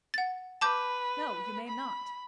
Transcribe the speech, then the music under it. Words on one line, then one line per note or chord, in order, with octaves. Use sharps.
"No; you may not."
F#5 A6
B4 A5 D6 G6
B5